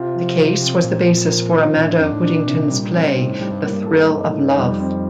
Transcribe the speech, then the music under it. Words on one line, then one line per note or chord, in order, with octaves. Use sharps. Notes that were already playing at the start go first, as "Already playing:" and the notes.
The case was the basis for Amanda Whittington's play "The Thrill of Love".
Already playing: C3 F4
F3
F4
C4
A#2 F3
F3
A#4
D#4
A#2 D4
A2
F2 D4
A2
A#2 D4
C3
G3
C4
A#2 D#4
A2
A2 G3
G2
A2 A#3
G2
A2 A4
G2
A2 D#4
G2
A2
D#4
G2
F2 G3
C4